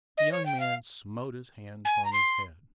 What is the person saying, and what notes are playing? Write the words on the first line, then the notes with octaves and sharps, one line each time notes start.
The young man smote his hand upon his head.
D#5
C#5
G5
F5
G#5
A#5
C6